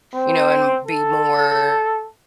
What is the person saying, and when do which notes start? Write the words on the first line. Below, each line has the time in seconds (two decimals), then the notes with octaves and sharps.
you know, and be more
0.15 C4
0.86 A4